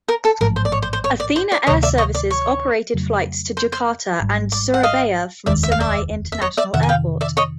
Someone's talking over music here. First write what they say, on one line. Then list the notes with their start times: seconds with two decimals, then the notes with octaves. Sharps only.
Athena Air Services operated flights to Jakarta and Surabaya from Senai International Airport.
0.08 A#4
0.25 A4
0.41 A1 G#2 F3 A3 A#4
0.56 C5
0.65 D5
0.72 C#5
0.82 C5
0.93 C5
1.04 C#5
1.20 D5
1.36 C5
1.52 D5
1.67 D2 C3 D#3 G3 C#5 D#5
1.83 D5 E5
1.98 C#5 D#5
2.15 D5
2.31 C#5
2.94 F2 C#3 F#3 A3
3.57 C5
3.72 C5
4.20 G#1 G#2 D#3 G3
4.52 D5
4.74 F#5
4.83 D#5 F5
5.46 F1 D#2 D#3 G#3 D5 E5
5.63 E5
5.72 F5
5.80 D5 E5
6.32 E5
6.42 C#5 D#5
6.57 D5 E5
6.73 F2 C3 D#3 E5 F#5
6.83 G#5
6.89 F5 G5
7.21 D5 E5
7.37 C#5 D#5